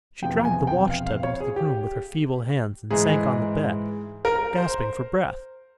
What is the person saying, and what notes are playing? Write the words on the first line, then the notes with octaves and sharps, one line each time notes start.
She dragged the wash tub into the room with her feeble hands and sank on the bed, gasping for breath.
E1 E2 C3 F3 G5
G#5
G5
F5
F5
C#5
G#4
G4
G#2 E3 G#3 G#4
A#4
C5